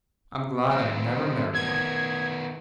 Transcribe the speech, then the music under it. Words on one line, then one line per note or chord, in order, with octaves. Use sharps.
I'm glad I never married one!
D#2 C4
D#3 B3 G#6